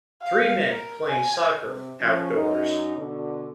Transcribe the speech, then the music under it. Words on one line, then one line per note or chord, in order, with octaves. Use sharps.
Three men playing soccer outdoors.
F5
A#4
G#5
C3
F3 C#4
F#2 D#4
B2 D3